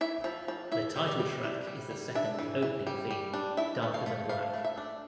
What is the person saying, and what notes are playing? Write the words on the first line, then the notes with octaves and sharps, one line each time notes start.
The title track is the second opening theme "Darker than Black".
E4 E5
F3
F3
E4 E5
G3
D5
G3
E4
G3
G3
D4 E5
E3
E3
G3
G3
D4
E4 E5
A3
F5
A3
A3 F5
A3
E5
D4